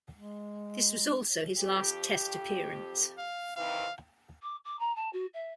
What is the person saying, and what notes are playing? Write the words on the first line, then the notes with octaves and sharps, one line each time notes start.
This was also his last test appearance.
G#3
F2 G4
F5
C3 D#3 E3 F5
D6
D6
A#5
A5
F#4
E5